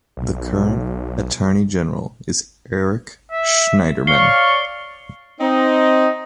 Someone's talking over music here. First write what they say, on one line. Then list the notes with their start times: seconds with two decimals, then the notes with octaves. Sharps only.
The current Attorney General is Eric Schneiderman.
0.17 B1
3.32 E5
4.07 C#5 D5 F5 C#6 C7 C#7 G7
5.40 C4 D#4